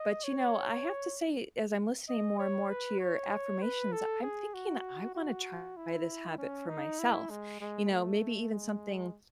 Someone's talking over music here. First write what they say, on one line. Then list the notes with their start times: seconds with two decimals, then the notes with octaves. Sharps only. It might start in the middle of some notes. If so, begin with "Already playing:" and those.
but, you know, I have to say, as I'm listening more and more to your affirmations, I'm thinking I wanna try this habit for myself, you know, maybe even something
Already playing: D#5
0.24 C#5
2.09 D#5
2.39 C#5
2.69 B4
3.00 C#5
3.62 B4
3.92 A4
4.23 G#4
4.54 F#4
5.15 F#4
5.76 E4
6.38 C#4
6.68 D#4
6.99 E4
7.30 G#3
7.60 G#3
7.91 A3
8.52 G#3